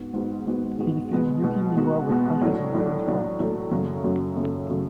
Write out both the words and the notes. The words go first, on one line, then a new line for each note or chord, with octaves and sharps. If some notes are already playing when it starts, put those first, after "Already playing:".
He defeated Yuki Miwa with punches in the first round.
Already playing: G#2 B3 F#4
G#2 G#3 B3 F#4
G#2 G#3 B3 F#4
G#2 G#3 B3 F#4
B2 G#3 B3 F#4
B2 G#3 B3 F#4
B2 G#3 B3 F#4
B2 G#3 B3 F#4
A2 F#3 A3 D4
A2 F#3 A3 D4
A2 F#3 A3 D4
A2 F#3 A3 D4
F#2 C#3 F#3 A3
F#2 C#3 F#3 A3
F#2 C#3 F#3 A3
C#3 F#3 A3